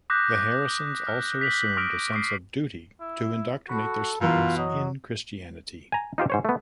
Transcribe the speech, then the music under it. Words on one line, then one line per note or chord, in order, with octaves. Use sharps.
The Harrisons also assumed a sense of duty to indoctrinate their slaves in Christianity.
D6 D#6 F#6 G6 A#6 B6
F6
B6 F7 F#7
C#6 D#6 F6 A#6 D7 F7
C#6 D#6 C7
E4
F#4 A4 B5
F#2 B2 E3 F4 A#4
F#3 D#5
G#5 A#5
D#4 F4 G4 C5
G#2 C5 C#5
A3 B3